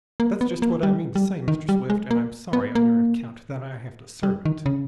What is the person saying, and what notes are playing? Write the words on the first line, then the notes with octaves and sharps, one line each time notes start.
"That's just what I mean to say, Mr. Swift, and, I'm sorry, on your account, that I have to serve it."
A#3
B3
A#3
G3
G3
D#3
G3
G#3
A#3
B3
A#3
G3
D#3
C#3